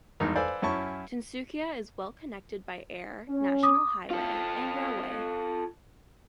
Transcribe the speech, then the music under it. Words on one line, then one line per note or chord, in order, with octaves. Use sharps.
Tinsukia is well connected by air, national highway and railway.
G#1 E2 G2 D#4 A#4
A4 B4 C5 D5 F5 G#5
F#2 C#4 E4 A5 C#6
C#4
D6 D#6
F4 A4